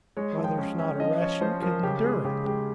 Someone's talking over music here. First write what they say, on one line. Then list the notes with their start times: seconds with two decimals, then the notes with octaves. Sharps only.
"Why, there's not a Russian could endure it!"
0.17 G#3 C#5
0.38 F3
0.44 G5
0.58 C#4
0.79 C#4
1.00 F3 D#5
1.21 F3 C#5
1.41 F3 C5
1.63 F3 A#4
1.83 C#3 G4
2.04 G#3 G#4
2.24 C#3 G4
2.46 G#3 G4